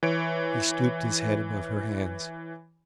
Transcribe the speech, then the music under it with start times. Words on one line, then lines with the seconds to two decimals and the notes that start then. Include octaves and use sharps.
He stooped his head above her hands.
0.03 E3 C#5 D7